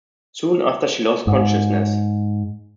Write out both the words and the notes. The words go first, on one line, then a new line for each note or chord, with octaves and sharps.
Soon after she lost consciousness.
G#2